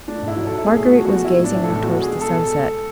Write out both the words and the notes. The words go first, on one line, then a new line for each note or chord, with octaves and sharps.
Marguerite was gazing out towards the sunset.
A3 D4
G#2
E4
F#3
A4
G#2
B2 G#4
A3 F#4
A3
F#4
B2
G#3 E4
A2
D4
E3
A2 A4
B2 F#4
G#3 G#4
G#3
A4
B2